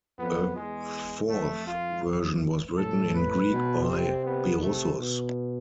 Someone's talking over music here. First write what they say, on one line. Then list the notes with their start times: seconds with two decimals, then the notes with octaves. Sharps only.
A fourth version was written in Greek by Berossus.
0.19 F2 B3
0.56 E2 G#3
1.29 F2 A3
1.67 F4
2.77 A2 A4
3.15 B4
3.51 B2
3.88 C3 C4
4.25 B3
4.61 C3 A3
4.99 B2